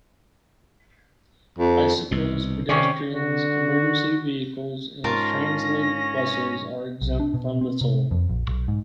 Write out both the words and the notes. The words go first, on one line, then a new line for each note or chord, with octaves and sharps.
Bicycles, pedestrians, emergency vehicles and TransLink buses are exempt from the toll.
F2
C2 B2
C3 D#3 C#4 D5
D3 F#4
G#2 C#4 F4 A#4 A5 A#6
B1
D4
B2
C4
C3
F2
A#1
B1
G#2